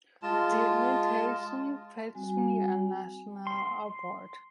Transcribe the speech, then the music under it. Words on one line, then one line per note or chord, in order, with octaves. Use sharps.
The imitation fetched me a national award.
G#3 F4 A5
G3 C4 F#4 G#5
C6